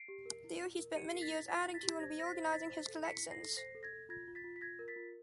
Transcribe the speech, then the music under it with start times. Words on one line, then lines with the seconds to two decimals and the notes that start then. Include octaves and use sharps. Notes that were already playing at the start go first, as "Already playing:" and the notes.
There he spent many years adding to and reorganizing his collections.
Already playing: C7 D7
0.08 G4
0.26 A#4
0.44 E4
0.62 E4
0.79 A#4
0.95 G4 C#7 D#7
1.14 A#4 C7
1.21 A6 B6
1.31 E4
1.48 E4 A6 B6
1.66 E4
1.74 A6 B6
1.83 G4
2.00 C5 G#6 A#6
2.18 C5 A#6
2.26 A6 B6
2.35 C5
2.52 E4 A6 B6
2.70 C5
2.88 A4
3.05 E4 B6 C#7
3.23 E4
3.31 A#6 C7
3.39 A4
3.57 C5 A#6 C7
3.75 A4
3.83 G#6 A#6
3.93 A4
4.09 F4 G#6 A#6
4.27 F4
4.35 A6 B6
4.44 F4
4.56 B6
4.61 F4 G#6 A#6
4.79 A#4
4.88 A6 B6
4.96 F4